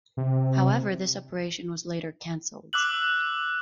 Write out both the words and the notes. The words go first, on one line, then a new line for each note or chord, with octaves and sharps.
However, this operation was later canceled.
C3
D6 E6 F#6 F#7